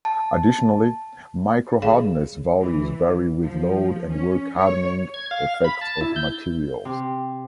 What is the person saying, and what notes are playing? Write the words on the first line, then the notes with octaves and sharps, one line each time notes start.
Additionally, microhardness values vary with load and work-hardening effects of materials.
A5
C#3
E3
F3
C#4
C#5
G#6
F5
B5
A5
E4
G6
C3